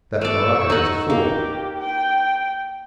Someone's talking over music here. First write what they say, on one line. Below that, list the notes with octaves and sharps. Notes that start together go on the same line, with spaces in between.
That Moraga is a fool!
A3 D5 C#6 E6
D#4 F#5
A#3 G4
G5